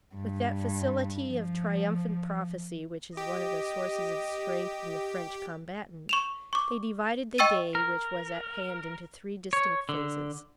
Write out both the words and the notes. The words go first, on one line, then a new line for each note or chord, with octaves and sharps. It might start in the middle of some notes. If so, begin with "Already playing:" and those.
With that facility of triumphant prophecy which is one of the sources of strength in the French combatant, they divided the day which was at hand into three distinct phases.
G2
F3
G4 D#5
C#6 E7 F7
C#6 D6
D#5 G5 C#6 E6 A6 D#7
A#4
C#5
D3